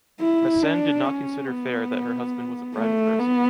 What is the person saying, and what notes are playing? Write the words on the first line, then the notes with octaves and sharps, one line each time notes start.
Mesene did not consider fair that her husband was a private person.
E4
D4
C#4
B3
A3
B3